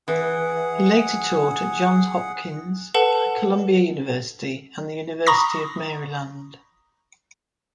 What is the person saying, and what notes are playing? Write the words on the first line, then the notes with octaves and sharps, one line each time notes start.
He later taught at Johns Hopkins, Columbia University, and the University of Maryland.
E3 G#4 F#5
A4 B4 F#5 A5
A#5 B5 C#6 D#6 A#6